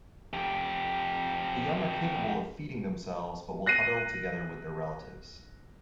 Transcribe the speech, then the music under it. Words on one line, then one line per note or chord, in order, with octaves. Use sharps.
The young are capable of feeding themselves but will huddle together with their relatives.
F2 G4
F#6 A#6 C7 D#7